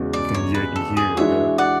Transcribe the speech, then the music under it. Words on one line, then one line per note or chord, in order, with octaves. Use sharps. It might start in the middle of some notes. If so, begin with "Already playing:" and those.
you can yeah, I can hear it, yup.
Already playing: E2 C#3 G#3 C#4 F#4
D5
C#5
B4
A4
G#4
E3 G#3 D4 F#4 C#5 E5
D5 F#5